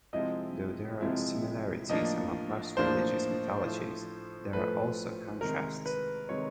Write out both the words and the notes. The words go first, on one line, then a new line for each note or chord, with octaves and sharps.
Though there are similarities among most religious mythologies, there are also contrasts.
C3 F3 G#3 C4 E4 D#5
C3 F3 G#3 C4 E4
A2 F3 A#3 D4 D#5
A2 F3 A#3 D4 C5
A2 F3 A3
A2 F3 A3 B4
C3 D#3 G#3 A#4
B4
C3 D#3 G#3 C#5